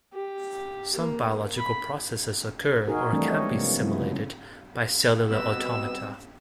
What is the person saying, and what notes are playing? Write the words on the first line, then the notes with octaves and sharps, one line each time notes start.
Some biological processes occur-or can be simulated-by cellular automata.
G4
A#3
B5
D#4 F#4 G#4 A#4
E3 F3 G3 A3 C4 D4
F3 G#3 C#5 D#5
C3 F3 A#3
C#3 F#3 G#3 B3 E4
C#3 F4
B2 G3 B3 C4 B4 E6